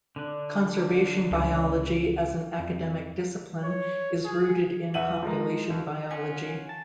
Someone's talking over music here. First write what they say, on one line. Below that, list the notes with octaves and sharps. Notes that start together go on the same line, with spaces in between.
Conservation biology as an academic discipline is rooted in population biology.
D3 D4
C#2
F2
C#5
G#4
E2 E5 F#5 D#7 F#7
F3 G#3 A#4
D#2
C#4 F4 F#4 G#5
A5